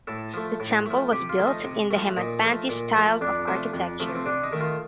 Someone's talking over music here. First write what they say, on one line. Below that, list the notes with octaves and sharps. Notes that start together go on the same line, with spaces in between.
The temple was built in the Hemadpanthi style of architecture.
A2 A4
F3 A3
A2
F3 A3
C3 G4
F4
F3 A3
D#4
C3
F3 A3
A#2 D#4
F3 A3
A#2
F3 A3
F2 D4
C3 F3 A3
F2
C3 F3 A3
C4
C3 D4
D#4
D#3 A3
F4